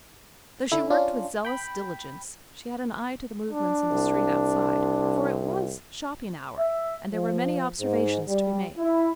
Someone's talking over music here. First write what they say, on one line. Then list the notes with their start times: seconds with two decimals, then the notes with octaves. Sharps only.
Though she worked with zealous diligence, she had an eye to the movements in the street outside, for it was shopping-hour, and there were many observations to be made.
0.72 D3 A3 E4
0.90 C#4 D4 F4
1.45 G5 B5
3.51 D4
3.91 C2
6.57 E5
7.12 F3
7.80 G#2
8.28 G3
8.77 E4